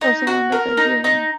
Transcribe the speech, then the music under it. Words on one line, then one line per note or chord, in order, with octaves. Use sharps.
Also one daughter, Giovani.
D#4
F#4
A#4
D#4
D#4